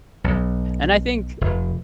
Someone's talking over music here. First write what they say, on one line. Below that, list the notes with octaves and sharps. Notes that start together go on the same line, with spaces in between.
And, I think
B1
F1